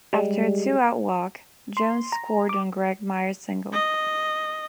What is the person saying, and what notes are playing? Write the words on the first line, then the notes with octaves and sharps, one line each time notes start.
After a two-out walk, Jones scored on Greg Myers's single.
G3 G#3
C6
A#5
D6
D#5